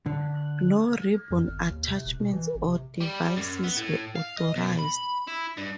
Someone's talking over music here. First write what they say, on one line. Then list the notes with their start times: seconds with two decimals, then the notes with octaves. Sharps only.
No ribbon attachments or devices were authorized.
0.06 D3
1.30 F2
1.48 G1
1.71 D#2
1.87 C3
2.06 E1
2.20 B2
2.33 E3
2.55 G#1
2.67 C3
3.01 G3
3.37 F#2
3.64 B3
3.77 A2
4.15 F5
4.38 D#5
4.56 B2
4.79 B5
5.28 E4
5.57 G2